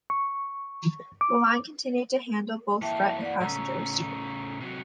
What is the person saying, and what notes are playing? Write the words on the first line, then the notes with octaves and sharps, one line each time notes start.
The line continued to handle both freight and passengers.
C#6
D6
E3 A#3 E5 G5 A5
D5 F#5
A2 C#3 A#5 E6
C3 F#3